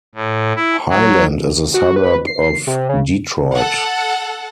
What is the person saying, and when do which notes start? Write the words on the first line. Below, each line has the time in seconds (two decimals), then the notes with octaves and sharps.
Highland is a suburb of Detroit.
0.15 A2
0.56 E4
0.90 F#3
1.74 F#4
1.96 B4
2.27 C7
2.67 C3
2.89 C#3
3.54 A4 F#5